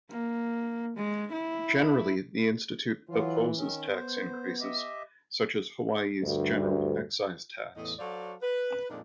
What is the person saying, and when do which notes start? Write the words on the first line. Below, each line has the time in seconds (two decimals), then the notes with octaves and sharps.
Generally, the institute opposes tax increases, such as Hawaii's General Excise Tax.
0.10 A#3
0.97 G#3
1.33 E4
3.09 E3 F#3 F4
3.55 D#3 C#4
3.87 B3 C5
4.60 G4 D#5 E5
6.22 D2 G2
7.77 E2 A2 D#5
7.99 F#3 F#4 A4 C5 D5 F5
8.42 B4
8.90 F2 A#2 G#3 D4 D#4